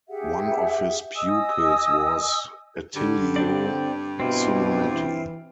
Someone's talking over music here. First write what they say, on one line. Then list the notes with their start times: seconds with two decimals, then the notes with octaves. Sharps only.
One of his pupils was Attilio Simonetti.
0.09 G4 G#4 E5 F#5
1.16 D#5 G#5 D#6 E6
2.96 G2 D3
3.36 C4 D4 D5
4.20 B2 C4 E4 F4
4.94 E3